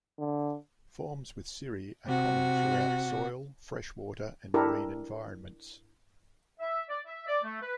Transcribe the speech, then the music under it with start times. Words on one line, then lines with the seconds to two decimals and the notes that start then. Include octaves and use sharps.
Forms with cirri are common throughout soil, freshwater, and marine environments.
0.19 D3
2.06 C3 F#4
4.54 D4 E4 G4 A4 A#4
6.60 E5
6.89 D5
7.06 E5
7.26 D5
7.43 A3
7.61 B4